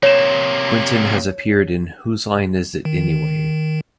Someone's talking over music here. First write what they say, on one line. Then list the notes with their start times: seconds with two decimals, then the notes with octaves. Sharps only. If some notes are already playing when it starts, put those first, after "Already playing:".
Quentin has appeared in Whose Line Is It Anyway?
0.03 C3 A#3 C#5 E7
2.85 D#3